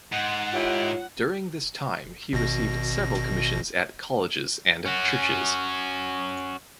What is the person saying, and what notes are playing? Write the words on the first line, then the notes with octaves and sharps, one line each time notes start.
During this time he received several commissions at Colleges and churches.
G#2 F#5
D#3 E4 F4 G4 C#5
G#1 B2 A#6
C#4 F#4